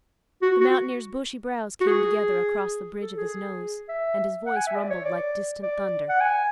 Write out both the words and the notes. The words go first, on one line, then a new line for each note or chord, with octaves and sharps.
The mountaineer's bushy brows came together across the bridge of his nose and his voice rumbled like distant thunder.
F#4
F#4
F#4
G#4
A4
G#4
E5
F#5
G#5
E5
D5
C#5
D5
D5
F#5
G#5